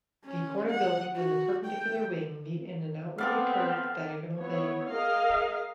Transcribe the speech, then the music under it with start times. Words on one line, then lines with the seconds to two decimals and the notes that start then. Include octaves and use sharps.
The corner building and the perpendicular wing meet in an outwardly curved diagonal bay.
0.25 C#4
0.70 F#5
1.15 F#4
1.65 G5
3.18 B3 C4 A4 D5 F5
4.39 B3 E4 C#5
4.89 G#4 A#4 D#5 F5